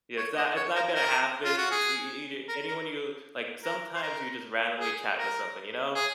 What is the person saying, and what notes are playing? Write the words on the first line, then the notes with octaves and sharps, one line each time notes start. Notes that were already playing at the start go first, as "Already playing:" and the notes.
Yeah, it's not it's not gonna happen, it's e e e-either anyone you like sometimes you just randomly chat with someone, you know?
C#5
D#5
C#5
A#4
A#4
F4
F#4
G#4
A#4
A#4
A#4
C5
A#4
G#4
A#4
G#4